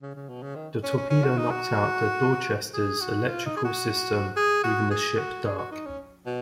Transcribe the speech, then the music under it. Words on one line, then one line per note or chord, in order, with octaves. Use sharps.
The torpedo knocked out the "Dorchester"s electrical system, leaving the ship dark.
C#3
C#3
B2
C#3
D#3
C#4
C#4
C#4
F#4
D#4
F#4
G#4
F#4
F4
D#4
G#4
F#4
G#4
F#4
G#4
F#4
G#4
F#4
D#4
C#4
B2